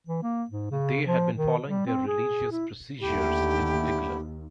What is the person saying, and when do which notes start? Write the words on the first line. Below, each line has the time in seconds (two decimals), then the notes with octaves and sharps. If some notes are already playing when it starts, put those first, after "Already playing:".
They had been following their religious procedures in particular.
0.07 E3
0.23 A#3
0.50 G#2
0.71 C#3
1.06 F3
1.35 D#3
1.68 G3
1.86 C4
2.07 G#4
2.51 E4
3.00 D#2 D3 A3 E4 G4